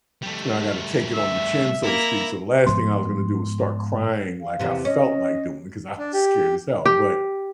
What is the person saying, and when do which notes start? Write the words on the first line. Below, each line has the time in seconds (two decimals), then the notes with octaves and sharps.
you know, I gotta take it on the chin, so to speak, so, the last thing I was gonna do was start crying like I felt like doing because I was scared as hell, but,
0.22 G3 A3
1.13 E5
1.84 A#3 E4 A#5
2.66 G#2 F3 B3 C6
4.41 F5
4.59 E2 C3 B3
4.85 C#4 D#5
5.99 D4
6.14 G4
6.86 G4